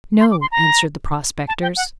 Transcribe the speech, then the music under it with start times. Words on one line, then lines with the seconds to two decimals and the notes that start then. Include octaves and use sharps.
'No,' answered the prospectors.
0.20 C6
0.31 D6
0.41 C6
0.52 A#5
1.48 A5
1.62 G5
1.76 F#5